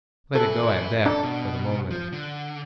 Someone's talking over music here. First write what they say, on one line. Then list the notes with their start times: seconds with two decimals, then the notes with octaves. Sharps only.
Let it go at that, for the moment.
0.35 A4 B4 E5
1.06 D4 A4
1.23 B2
1.90 F3
2.12 D3